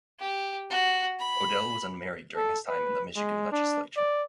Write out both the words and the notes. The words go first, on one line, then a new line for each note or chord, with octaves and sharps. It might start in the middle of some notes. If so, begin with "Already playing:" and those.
Odell was unmarried during his time in the Michigan Legislature.
G4
F#4
B5
A4
B4
G#3
D4
D5